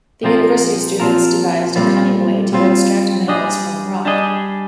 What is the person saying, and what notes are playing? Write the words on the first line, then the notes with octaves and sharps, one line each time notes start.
The university students devised a cunning way to extract minerals from rock.
A#2 F3 C4 F4 A#4
A#2 F3 C4 F4 A#4
A#2 G3 C4 F4
A#2 G3 C4 F4
G3 D4 G#4 D#5
G3 D4 G#4 D#5